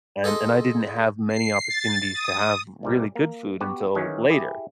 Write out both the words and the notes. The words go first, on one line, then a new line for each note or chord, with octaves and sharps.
and and I didn't have many opportunities to have really good food until later
G#4 A4 D#5 C6
C7
A6
D#6
C2 A#2 G3
A#3
B3 F#4 G4 B4
D#3 E3 F#3 G#3 C#4
E4 G4 G#4